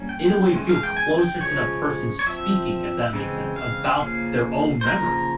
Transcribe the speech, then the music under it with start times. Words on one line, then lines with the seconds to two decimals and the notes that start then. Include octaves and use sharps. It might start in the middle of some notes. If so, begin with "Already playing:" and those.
in a way, feel closer to the person speaking, if that makes sense, about their own memory.
Already playing: G3 A#3 C#4
0.09 G5
0.53 E3 G#3 C#4
0.69 F5
0.83 G5
0.97 G#5
1.18 G5
1.40 C#3 F3 G#3 C#4 C#5
2.19 C#5
2.26 F3 C4 E5
3.13 C#3 E3 G#3 C4
3.56 F5
4.00 C#3 F3 A#3 C#4 F5
4.81 C5
4.86 C#3 F3 A#3 A#4